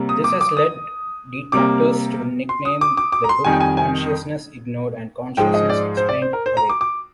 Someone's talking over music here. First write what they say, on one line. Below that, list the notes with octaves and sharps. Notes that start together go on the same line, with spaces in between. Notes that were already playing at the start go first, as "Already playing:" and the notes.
This has led detractors to nickname the book "Consciousness Ignored" and "Consciousness Explained Away".
Already playing: C3 G3 A#3
D#6
D6
D6
D#6
C3 G3 A#3 D6
C6
D#6
D6
D6
D6
A#5
C6
F2 D#3 G3 G#5
G5
G#5
G#5
G#2 F3 G#3 G5
D#5
D5
C5
D5
C5
A#4
C5
A#5
D6
D6